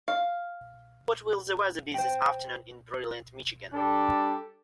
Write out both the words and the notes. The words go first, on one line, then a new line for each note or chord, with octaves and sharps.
What will the weather be this Afternoon in Brilliant Michigan?
F5
C5 G5
G3 D4 G4 A4